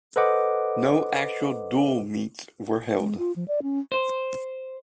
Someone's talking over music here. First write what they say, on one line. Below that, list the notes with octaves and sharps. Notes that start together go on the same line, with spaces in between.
No actual dual meets were held.
A4 B4 C5 D#5 F#5 D6
G#3
F4
F3
D5
C#4
C5